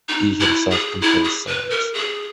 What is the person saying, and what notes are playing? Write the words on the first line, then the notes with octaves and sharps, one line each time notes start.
He himself composed songs.
D#4
E4
G#4
E4
G#4
B4
A#4
G#4